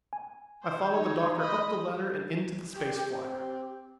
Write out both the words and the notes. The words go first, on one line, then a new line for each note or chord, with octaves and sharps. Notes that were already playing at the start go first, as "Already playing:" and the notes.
I followed the Doctor up the ladder and into the space flier.
G#5
C5
D#4 C#5
D#5 B5
G4
C4 G4